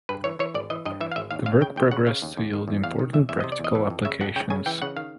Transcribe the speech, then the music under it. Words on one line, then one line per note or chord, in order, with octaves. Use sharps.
The work progressed to yield important practical applications.
G2 B4
E3 C#5
E3 C#5
G#1 D5
E3 D#5
G2 D#5
E3 E5
F5
G#1 E5
D#2 F5
D#2 F5
C#3 G5
D#2 G5
C#3 F#5
C#3 F5
D#2
D#2
D#3
E2
E2 F5
D#3
E2 E5
E2 E5
C3 D#5
D5
E2
D#5
E3
F2
C#3 E5
F2 F#5
C#3 G5
C#3 G#5
E3 G5
C#3 F#5
D#3 F5